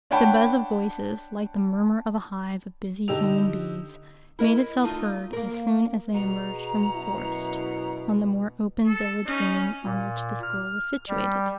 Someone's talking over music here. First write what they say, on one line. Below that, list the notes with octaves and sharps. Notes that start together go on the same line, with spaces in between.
The buzz of voices, like the murmur of a hive of busy human bees, made itself heard as soon as they emerged from the forest on the more open village-green on which the school was situated.
D4 C#5 F#5 G5 A5 B5
D3 D#4 G4 E6 F7
E4 A#4 D#5
A3 D#4 F4
A#3 A#4
B2 G#4 A#5
F#2 B3 E4
A4
C#4 D#4
A#2
F6
G3